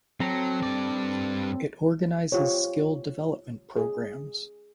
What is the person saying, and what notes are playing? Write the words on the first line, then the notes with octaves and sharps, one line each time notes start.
It organises skill development programmes.
F#3 C4 A4 A#5
G2 D5
F4 G4 C5 C#5
G#4